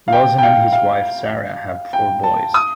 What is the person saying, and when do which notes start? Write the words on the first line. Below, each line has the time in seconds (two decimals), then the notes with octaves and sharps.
Lauzen and his wife, Sarah, have four boys.
0.08 F5
0.13 G5
0.38 G5
0.43 F5
0.73 F5
1.93 G5
2.23 A5
2.54 D#6